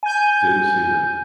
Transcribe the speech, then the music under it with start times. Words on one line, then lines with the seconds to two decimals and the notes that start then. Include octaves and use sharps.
Didn't see that.
0.03 G#5 G6